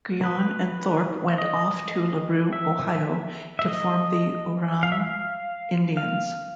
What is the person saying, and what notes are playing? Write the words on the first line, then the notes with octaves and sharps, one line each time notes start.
Guyon and Thorpe went off to LaRue, Ohio to form the Oorang Indians.
B4
D#5
E5
E5
D#5
F5
E5
F5
F5